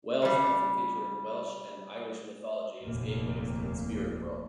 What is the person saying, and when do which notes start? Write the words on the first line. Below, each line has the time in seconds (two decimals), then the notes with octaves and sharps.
Wells often feature in Welsh and Irish mythology as gateways to the spirit world.
0.22 C#3 G3
2.81 F1 D#2 A#2 A#3